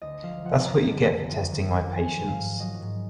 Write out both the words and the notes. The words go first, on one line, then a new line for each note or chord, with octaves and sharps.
That’s what you get for testing my patience.
D2 D#5
F3 F5
F3 F#5
F#2 A#5
D3
F#2
F2
D#3
F#3
F3 G#5
G#2
F5
G#2
F#3 D#5
G#2